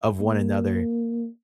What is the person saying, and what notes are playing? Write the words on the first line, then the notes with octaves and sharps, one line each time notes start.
of one another.
A#3